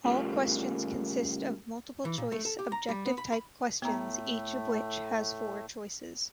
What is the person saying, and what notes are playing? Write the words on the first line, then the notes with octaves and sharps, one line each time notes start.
All questions consists of multiple choice objective-type questions each of which has four choices.
A2 C#3 F3 G3 A3 A#3
E3
A#2
A3
A4
G4
A#5
G3
B3
B5
B5
A2 A3 B3 A#5